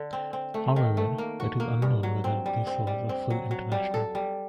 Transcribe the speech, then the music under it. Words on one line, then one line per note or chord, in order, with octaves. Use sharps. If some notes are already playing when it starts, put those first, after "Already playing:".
However, it is unknown whether this was a full international.
Already playing: D3
C4
C4
A3
D#3
A3
A#3
F#4
A#3
G2
F#3
C4
G3
C4
G3
C4
F#3
F#3
G3
A4
G3